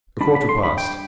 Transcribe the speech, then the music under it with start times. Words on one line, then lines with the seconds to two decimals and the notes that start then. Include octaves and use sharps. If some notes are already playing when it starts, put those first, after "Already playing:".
A quarter past.
0.21 G3 D4 B5
0.35 B5
0.49 C6
0.63 B5
0.78 G5